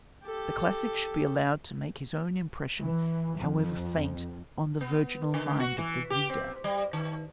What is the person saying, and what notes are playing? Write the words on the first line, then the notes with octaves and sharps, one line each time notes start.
The classic should be allowed to make his own impression, however faint, on the virginal mind of the reader.
G4 A4
E3
F2
B3
D3
F#4
E3
G4
C4
G3
D#3